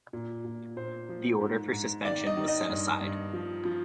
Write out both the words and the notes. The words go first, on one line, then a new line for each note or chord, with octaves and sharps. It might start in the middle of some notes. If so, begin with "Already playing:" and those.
The order for suspension was set aside.
A#2
A#2
A#2 C5
F3
G#2
G#2
D#3 D5
D#5
D#3
D#5
G2
G2
F3
F3